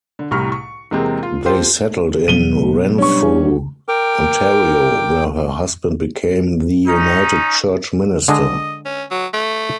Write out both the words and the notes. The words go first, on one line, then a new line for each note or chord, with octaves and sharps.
They settled in Renfrew, Ontario where her husband became the United Church minister.
D3
C2 A2 C3 A#5 C#6 F6
C#6
E2 C3 G#3 A#3 C4
F4
F4 G4 A4 C5
B2 F#3 B3 D#7 G7
G2 C#4 C#6
A#4 G5 D6
C#4 D#4
D3 G#3 D#5
C#4
F#3
A3